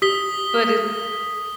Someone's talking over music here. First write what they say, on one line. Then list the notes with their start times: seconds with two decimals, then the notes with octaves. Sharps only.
But it
0.02 G4 D#6 B6 G7